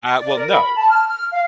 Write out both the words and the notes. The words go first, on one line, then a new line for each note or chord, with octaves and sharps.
Uh, well, no.
D5
A#4
B5
A5
F6
F6
F5